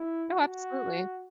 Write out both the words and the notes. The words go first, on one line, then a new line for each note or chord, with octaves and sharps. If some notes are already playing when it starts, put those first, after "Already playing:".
Oh, absolutely.
Already playing: E4
F#4